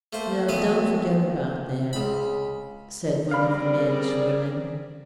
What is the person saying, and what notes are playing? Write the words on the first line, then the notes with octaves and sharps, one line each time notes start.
"Now, don't forget about that," said one of the mannish women.
A3 A#3 C5
A#1 F#3 A3 B3 F5 D#6
C#2 B5
G3 C4 G#4 A#4 D5 F5 B5